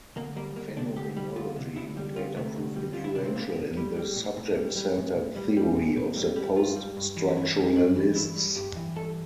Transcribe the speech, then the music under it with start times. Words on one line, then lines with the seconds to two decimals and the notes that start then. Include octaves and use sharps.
Phenomenology would later prove influential in the subject-centred theory of the post-structuralists.
0.16 D2 A#3
0.36 G3 A#3
0.56 D2 A#3
0.77 C3 D4
0.96 D2 G4
1.17 G3
1.36 D2 F4
1.56 C3
1.76 D2 E4
1.97 G3
2.16 D2 F4
2.36 C3 A3
2.56 D2
2.76 G3
2.93 D2 F4
3.04 E4
3.15 C3 D4
3.25 C4
3.36 A2 A#3
3.56 A2
3.77 G3
3.97 G3
4.16 A2
4.37 A2
4.56 G3
4.76 G3
4.97 A2
5.16 A2
5.36 G3
5.57 G3
5.77 A2
5.97 A2
6.16 G3
6.36 G3
6.56 G2 F4
6.76 G3
6.97 G2
7.17 E3
7.36 G2 E4
7.56 G3
7.76 G2 D4
7.96 E3
8.16 G2 E4
8.36 G3
8.56 G2 G4
8.76 E3
8.96 G2 A4